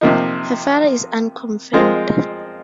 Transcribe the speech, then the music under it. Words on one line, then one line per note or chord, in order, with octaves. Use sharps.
Her father is unconfirmed.
C3 F3 A#3 D#4
F3 G#3 C4 F4 A#4